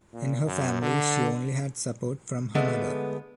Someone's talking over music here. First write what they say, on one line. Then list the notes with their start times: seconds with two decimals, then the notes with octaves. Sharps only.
In her family she only had support from her mother.
0.13 A#2
0.46 F#2
0.82 D3
2.55 D3 G#3 A3 B3